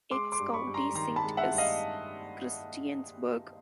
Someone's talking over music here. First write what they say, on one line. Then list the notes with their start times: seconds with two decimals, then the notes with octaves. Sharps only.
Its county seat is Christiansburg.
0.11 G#3 C6 D6
0.32 C6 D6
0.39 G2
0.53 B5 C#6
0.67 G2
0.74 A#5 C6
0.95 D#3 A#5 C6
1.16 A5 B5
1.23 G#3
1.37 E5 F#5
1.52 G2
1.58 D#5 F5